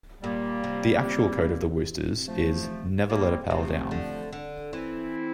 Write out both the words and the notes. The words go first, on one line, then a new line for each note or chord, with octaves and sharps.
The actual code of the Woosters is Never let a pal down.
A#2 G3 A#3
C3
F3 A3
C3 G3 A#3
C3 F3 A3
D3
D3
E3 C4 E4